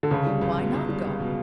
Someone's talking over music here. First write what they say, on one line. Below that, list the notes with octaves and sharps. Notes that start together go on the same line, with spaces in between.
"Why not go?"
D3
C#2 C#3
G3
C#2
B2
C#2
G3
C#2
B2